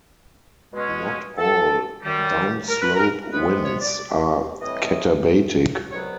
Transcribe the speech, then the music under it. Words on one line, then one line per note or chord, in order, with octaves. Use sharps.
Not all downslope winds are catabatic.
B2 G#3 C#4
A4
F#2 D#3 G3
A#4
B4
A#4
C3 F3 G#3 B3 B4
B4
C#5
D5
A2 E3 G3 C4 D#5
C2 B2 F#3 B3 C#5